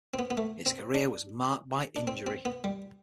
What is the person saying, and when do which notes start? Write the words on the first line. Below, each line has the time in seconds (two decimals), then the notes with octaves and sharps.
His career was marked by injury.
0.14 C4
0.19 B3
0.30 B3
0.37 A3
0.66 C4
0.94 D4
1.96 D4
2.07 C4
2.27 C4
2.45 B3
2.64 G3